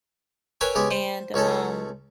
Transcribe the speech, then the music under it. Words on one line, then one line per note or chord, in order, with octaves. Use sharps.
and, um
A#4 B4 C#5 E5 G5 G#5
C#3 G#3 B3 G4
C5
C#2 C#4 D#4 A4